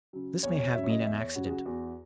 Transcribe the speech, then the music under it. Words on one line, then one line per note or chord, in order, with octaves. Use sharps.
This may have been an accident.
C#3 F#3
E2 C#5
C#5
C#3 F#3 E5
C#5
D#5
E2 E5
C#5
C#3 F#3 F#4
G#4
F#4
E2 F#4